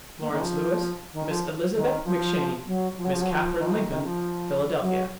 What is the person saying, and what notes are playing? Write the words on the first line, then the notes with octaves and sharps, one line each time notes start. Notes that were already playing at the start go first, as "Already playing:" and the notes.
Lawrence Lewis, Miss Elizabeth McShane, Miss Katherine Lincoln, Philadelphia.
A#3
D#3
F3
D#3
F3
D#3
F3
F#3
F3
F#3
F3
F#3
F3
D#3
F3
D#3
D#3
F3
F#3